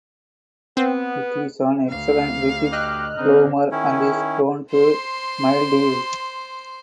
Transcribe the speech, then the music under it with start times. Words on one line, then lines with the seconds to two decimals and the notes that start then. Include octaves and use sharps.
It is an excellent repeat bloomer and is prone to mildew.
0.77 B3 C4
1.89 D2 F5
2.72 G4 D#5 F6 F#6
3.17 D3 C4 D#4
3.72 D#3 C#4 E4
4.71 C5 C6